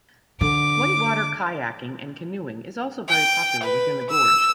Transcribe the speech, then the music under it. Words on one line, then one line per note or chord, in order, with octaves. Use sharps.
Whitewater kayaking and canoeing is also very popular within the gorge.
D3 D6
G5
B4
E6